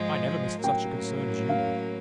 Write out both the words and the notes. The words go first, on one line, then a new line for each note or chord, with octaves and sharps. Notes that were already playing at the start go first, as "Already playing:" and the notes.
"I never missed such a concern as you."
Already playing: G#2 F3 G#3
A2 F#3 A#3 C#4 G5
F5